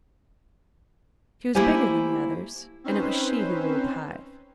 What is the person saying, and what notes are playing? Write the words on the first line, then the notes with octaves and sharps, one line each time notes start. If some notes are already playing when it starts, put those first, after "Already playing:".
She was bigger than the others, and it was she who ruled the hive.
A3 A#3 E4 G4 C5 G#5
C4 C#4 D#4 B4 C5